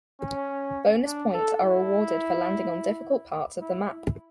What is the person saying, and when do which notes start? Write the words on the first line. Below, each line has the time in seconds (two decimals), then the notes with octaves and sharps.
Bonus points are awarded for landing on difficult parts of the map.
0.20 C#4
1.06 D4
1.34 A4
1.63 E4
3.61 E4